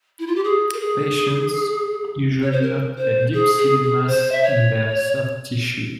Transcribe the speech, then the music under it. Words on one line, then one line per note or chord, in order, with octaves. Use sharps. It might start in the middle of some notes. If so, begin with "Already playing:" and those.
Patients usually note a deep seated mass in their soft tissue.
E4
F4
G4
G#4
A#4
G#4
C#5
C5
A#4
C5
G#4
G#4
G#4
C5
E5
C#5